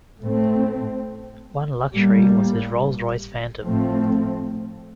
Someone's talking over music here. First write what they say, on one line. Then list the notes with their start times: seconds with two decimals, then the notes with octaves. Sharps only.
One luxury was his Rolls-Royce Phantom.
0.19 A2 A3 C4
1.92 A2 G3 A#3
3.63 A2 F3 A3 C4